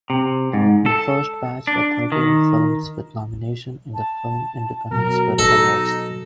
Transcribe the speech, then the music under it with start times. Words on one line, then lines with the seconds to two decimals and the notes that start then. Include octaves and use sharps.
The first batch were thirteen films with nominations in the Film Independent Spirit Awards.
0.10 C3
0.53 G#2
0.86 A4
1.67 D4
2.12 D#3
3.94 A5
4.91 B2 F#3 A#4
5.39 D#4 A4 A#6